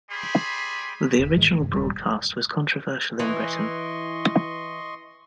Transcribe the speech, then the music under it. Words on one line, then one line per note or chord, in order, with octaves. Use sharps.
The original broadcast was controversial in Britain.
G3 G4 G#4 B5 C6
E1
G#2 D#3 E3 G#3
E3 A3
G2 C3
D#1 G3
E3 D#5 C6 C#6